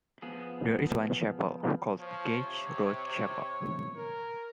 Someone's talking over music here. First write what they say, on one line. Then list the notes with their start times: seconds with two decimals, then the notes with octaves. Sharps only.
There is one chapel, called Gage Road Chapel.
0.22 F3 B3 G#4
2.00 F3 C#5
2.45 C3
3.96 A#4